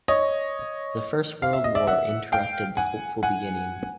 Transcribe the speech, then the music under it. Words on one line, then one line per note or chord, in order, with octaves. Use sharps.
The First World War interrupted the hopeful beginning.
C#5 D#5
F5
E5
D#5
D5 E5
E5 F#5
F5 G5
F#5 G#5
F#5 G#5